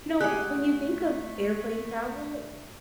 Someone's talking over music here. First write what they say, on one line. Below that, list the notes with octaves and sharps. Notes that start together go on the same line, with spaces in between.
You know, when you think of airplane travel,
A3 G4 G#4 F#5 F#6